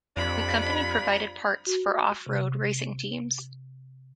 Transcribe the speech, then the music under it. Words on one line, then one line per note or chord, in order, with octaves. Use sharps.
The company provided parts for off-road racing teams.
F2 C3 F3 D4 B5
F#4
C3